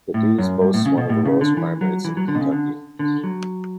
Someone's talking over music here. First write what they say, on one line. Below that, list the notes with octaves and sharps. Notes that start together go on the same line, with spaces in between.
Cadiz boasts one of the lowest crime rates in Kentucky.
A2
F#2
G2
A2
C#3
B2
A2
C#3
D3
E3
F#3
E3
F#3
D3
B2
C#3
D3
D3
F#3